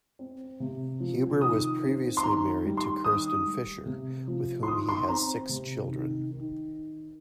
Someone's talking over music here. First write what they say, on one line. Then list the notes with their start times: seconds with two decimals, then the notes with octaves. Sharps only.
Huber was previously married to Kirsten Fischer, with whom he has six children.
0.19 C4
0.60 C3
1.00 F3
1.41 D#3 D#6
1.83 C4
2.17 C6
2.23 D#3 A#5
2.65 G3
2.77 C6
3.04 D#3 D#6
3.46 G3
3.86 C3
4.27 F3
4.63 C6
4.68 D#3 D#6
4.89 C6
5.08 C4 A#5
5.49 C3
5.90 D#3
6.31 D#3